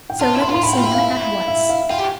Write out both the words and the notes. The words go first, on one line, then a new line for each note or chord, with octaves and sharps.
So let me see him at once.'
G5
F4 A5
E4
C6
F4
C6
E4 B5
G5
F4
E4 G5
F5
E5
F5
F4 G5
G4